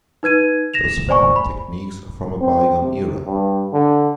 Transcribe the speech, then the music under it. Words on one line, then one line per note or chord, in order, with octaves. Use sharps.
Those farming techniques are from a bygone era.
D#4 B4 G#6 D#7
A#6 E7 F7
C5 D5 G#5 C#6
B5
C4
C3
G2
D3